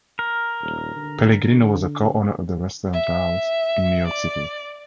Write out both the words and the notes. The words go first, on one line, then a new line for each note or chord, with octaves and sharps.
Pellegrino was a co-owner of the restaurant Rao's in New York City.
A#4
D#1
D3
E5
D5